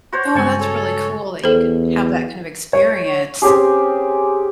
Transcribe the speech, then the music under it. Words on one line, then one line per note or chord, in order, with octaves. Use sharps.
Oh, that's really cool that you could have that kind of experience.
F#4 C5 C#5
G2 C#3 G#3 G#5 A5 C#6
A4 C#5
E2 A4 C5
C#5
C4 C#4 G4 G#4